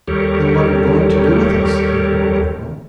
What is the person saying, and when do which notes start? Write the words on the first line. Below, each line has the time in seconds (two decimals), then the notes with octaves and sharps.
"Then what are you going to do with us?" inquired the girl.
0.08 D#2 G3 G4 A4 A#4 C#5